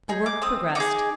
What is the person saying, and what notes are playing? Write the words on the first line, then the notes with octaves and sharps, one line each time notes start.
The work progressed.
D#4 G#4
D6
C4 D#6
D#4 G#4 D6